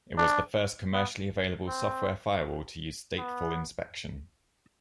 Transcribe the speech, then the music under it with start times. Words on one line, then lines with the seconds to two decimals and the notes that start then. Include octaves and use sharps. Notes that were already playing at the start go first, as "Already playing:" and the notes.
It was the first commercially available software firewall to use stateful inspection.
0.18 D4
0.93 B3
1.68 C4
3.18 B3